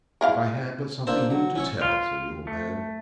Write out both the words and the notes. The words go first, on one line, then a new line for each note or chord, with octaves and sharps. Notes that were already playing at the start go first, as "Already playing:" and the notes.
"If I had but something new to tell," said the old man.
G#3 E4 F5
A#3 D4 E4 C5 A5
F#3
C#4 E4 C#5
F4
A3